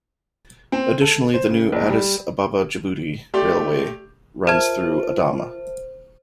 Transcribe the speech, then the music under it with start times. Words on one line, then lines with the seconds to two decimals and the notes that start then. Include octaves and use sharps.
Additionally, the new Addis Ababa-Djibouti Railway runs through Adama.
0.72 C4
1.01 A4
1.34 C5
1.49 C#3
1.72 A#1
1.90 G3
3.34 A3 G4 D5 C6
4.47 F4 G#4 A#4 C5 E5 A5 G#6